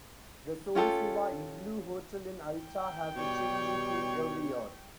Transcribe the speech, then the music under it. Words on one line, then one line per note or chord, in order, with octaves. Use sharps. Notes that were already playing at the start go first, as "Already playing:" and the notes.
The Sorrisniva Igloo Hotel in Alta has a changing theme every year.
C#4 F4 G4 A4
G5
B2 G3 C#5